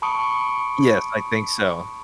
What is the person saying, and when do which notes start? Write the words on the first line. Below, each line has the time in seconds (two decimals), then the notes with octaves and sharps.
Yes. I think so.
0.02 A5 B5 C#6 D#6 C#7 D7